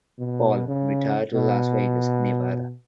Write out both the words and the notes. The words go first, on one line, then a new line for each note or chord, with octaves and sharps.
Paul retired to Las Vegas, Nevada.
B2
C#3
B2